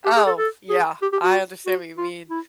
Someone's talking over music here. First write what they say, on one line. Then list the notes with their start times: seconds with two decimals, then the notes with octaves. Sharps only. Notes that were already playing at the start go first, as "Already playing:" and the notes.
Oh, f yeah, I understand what you mean.
0.05 G4
0.16 G#4
0.27 A4
0.38 A4
0.70 G#4
1.02 G4
1.13 G4
1.23 F#4
1.66 F#4
1.98 F4
2.30 E4